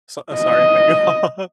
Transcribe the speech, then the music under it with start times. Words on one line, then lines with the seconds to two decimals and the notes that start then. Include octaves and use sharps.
So, uh, sorry, cut you off.
0.36 D#5